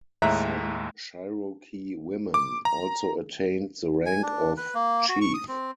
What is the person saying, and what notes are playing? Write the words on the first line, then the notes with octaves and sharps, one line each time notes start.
Some Cherokee women also attained the rank of chief.
D#2 A2 G#3 E5 A#5 F#6
D6
A#5
G#5
D4
B4
A#3
F#4
C#6
D#6
C4